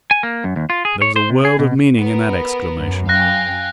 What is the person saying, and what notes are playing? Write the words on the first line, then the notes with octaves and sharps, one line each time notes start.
There was a world of meaning in that exclamation.
G#5
A#3
F#2
D#2
F4
G#4
C#5
C5
C3
G#4
B2
B3 A#4
F#2
F5 G5 G#5 F#6 A#6